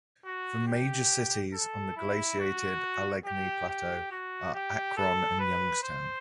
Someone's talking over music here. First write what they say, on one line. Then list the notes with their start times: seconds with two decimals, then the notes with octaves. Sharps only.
The major cities on the Glaciated Allegheny Plateau are Akron and Youngstown.
0.25 F#4
0.67 G4
1.53 A4
1.96 E4
2.39 F#4
3.25 G4
3.68 G4
4.11 F#4
4.54 G4
4.97 A4
5.40 B4
5.83 C5